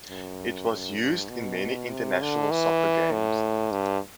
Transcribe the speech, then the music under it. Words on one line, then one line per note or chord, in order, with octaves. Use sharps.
It was used in many international soccer games.
F#2
F#2
G2
B2
C3
D3
E3
A2
G2